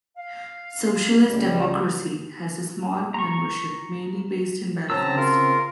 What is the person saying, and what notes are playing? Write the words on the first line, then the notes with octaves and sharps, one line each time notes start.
Socialist Democracy has a small membership mainly based in Belfast.
F5
C#2 G3
A#5 C#6
C#3 F#3 C4 A5 A#5 E6
F4 A#4